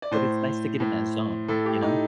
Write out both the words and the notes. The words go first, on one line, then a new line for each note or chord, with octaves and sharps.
But, it's nice to get in that zone, you know?
D5
A2 C5
A2
A2 A4
G4
D#4